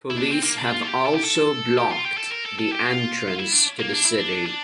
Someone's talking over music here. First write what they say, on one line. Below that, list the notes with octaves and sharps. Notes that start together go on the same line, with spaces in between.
Police have also blocked the entrance to the city.
E4
D4
C4
A#3
D4
F4
A4
G4
A4
G4
A4
G4
F4
G4
A4
A#4
A4
A4
G4
F4
E4
D4
A#3
D4
E4
D4
D4